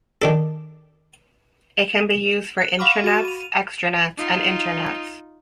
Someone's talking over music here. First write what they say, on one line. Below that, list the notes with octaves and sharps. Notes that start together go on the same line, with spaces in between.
It can be used for intranets, extranets and internets.
D#3 D4 A4
F#6
F5 F#5 B5 C#6 D6 F6
F#4 D#7 E7
D#7 F7
D#4 F4